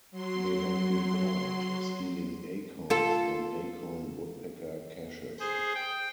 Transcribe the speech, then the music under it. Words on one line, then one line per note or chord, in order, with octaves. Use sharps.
They have been caught stealing acorns from acorn woodpecker caches.
F#3 C6
F4 A4
G#4 C5
G5